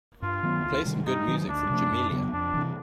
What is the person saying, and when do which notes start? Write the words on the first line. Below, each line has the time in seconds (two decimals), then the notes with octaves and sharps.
Play some good music from Jamelia.
0.22 G2 F4
0.43 D#3 F#3 B3
0.64 D2
0.85 C3 D#3 G3
1.06 G2 D#4
1.28 D#3 F#3
1.48 D2 D4
1.70 C3 F3 A3
1.91 F#2
2.11 C#3 F#3 B3
2.32 F2 D4
2.54 C3 E3